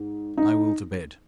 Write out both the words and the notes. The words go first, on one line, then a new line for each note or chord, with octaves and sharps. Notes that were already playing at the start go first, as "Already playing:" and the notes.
I will to bed.
Already playing: G#2
D#4